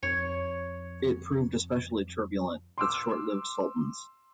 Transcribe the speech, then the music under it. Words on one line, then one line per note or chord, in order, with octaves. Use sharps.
It proved especially turbulent, with short-lived sultans.
F2 C#5
C6 D6 E6